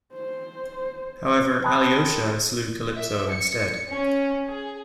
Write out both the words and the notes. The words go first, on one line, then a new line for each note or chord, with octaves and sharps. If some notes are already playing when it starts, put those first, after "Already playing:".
However, Alyosha slew Calypso instead.
C5
G5 A5 B5 C6 D#6 F#6
E5
C#7
C#4
G#4